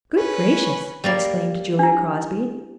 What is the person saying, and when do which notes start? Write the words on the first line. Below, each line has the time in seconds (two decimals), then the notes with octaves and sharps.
"Good gracious," exclaimed Julia Crosby.
0.15 C#4 B4
1.04 G3 A#3 D5
1.79 D4 E4